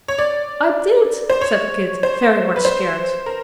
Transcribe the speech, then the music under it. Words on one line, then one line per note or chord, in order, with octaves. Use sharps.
"I did," said Kit, very much scared.
C#5
D5
C5
C#5
C5
B4
C5
A#4